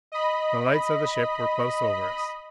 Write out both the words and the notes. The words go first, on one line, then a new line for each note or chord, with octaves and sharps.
The lights of the ship were close over us.
D#5 B5